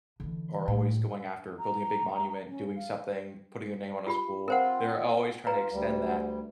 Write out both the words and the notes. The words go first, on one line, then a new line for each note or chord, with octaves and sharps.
are always going after building a big monument, doing something, putting their name on a school, they're always tryna extend that.
D3 E3
A2
A#5
C#4
F5
F4 G4 B5
C4 F4 A#4 C5 F#5
F4 B4 A#5
D2 G3